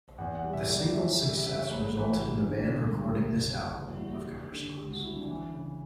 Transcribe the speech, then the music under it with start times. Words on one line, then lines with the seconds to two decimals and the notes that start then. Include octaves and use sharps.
The single's success resulted in the band recording this album of cover songs.
0.18 E2 F#5
0.35 F#5
0.44 G3
0.53 E5
0.69 G3 D5
0.83 D5
0.95 E3 E5
1.21 G3 E5
1.34 E5
1.46 C#3 E5
1.59 C#5
1.71 A1 B4
1.97 E3 B4
2.10 F#4
2.22 G3 E4
2.48 D3
2.73 C#2
2.99 G3
3.25 F#1
3.50 C#3
3.75 E2 F#4
3.88 E4
3.98 G3 F#4
4.27 G3
4.52 D3
4.78 C#2 G4
4.90 F#4
5.03 F#3 E4
5.16 D4
5.28 E3
5.54 C#3